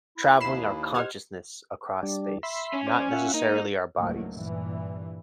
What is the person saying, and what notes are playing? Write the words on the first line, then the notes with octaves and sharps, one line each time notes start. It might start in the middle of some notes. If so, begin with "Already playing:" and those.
traveling our consciousness across space, not necessarily our bodies.
E4
D#2 B5 C7 E7
G4 C5 D#5 F#5 F6 G#6
G3 D4
E5 B5 C6
C#4
C5 D5 G#5
F4 E5 F#5
A#3 D#4
C#2 G#2 F#3 A3 A#3
G2 A#2 E3